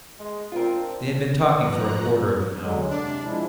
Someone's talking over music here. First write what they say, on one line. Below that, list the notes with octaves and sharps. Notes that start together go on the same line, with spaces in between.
They had been talking for a quarter of an hour.
G#3
C4 D4 F4 A#4
F3 B4 A#5 F#6
D3 F#3 G#3
C3 D4
F3 G#3 E4